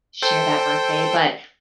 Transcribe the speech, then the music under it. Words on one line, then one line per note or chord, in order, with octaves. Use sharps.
share that birthday, but
A4 C5 G5